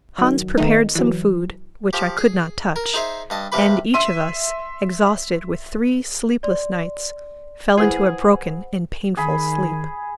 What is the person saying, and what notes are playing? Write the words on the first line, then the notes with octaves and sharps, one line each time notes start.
Hans prepared some food, which I could not touch; and each of us, exhausted with three sleepless nights, fell into a broken and painful sleep.
D#3 F#3
D#3 A3 B3 D#4
E3 F#3
F3 G4
G#4
A#4
D#4 G#4 C5 E5
G2 D#5 A5
G2 C3 G4 B4 B5
E5 C6 D#7
D5 C6
E3 G#4 C5 F#5
D#3 G#4 B5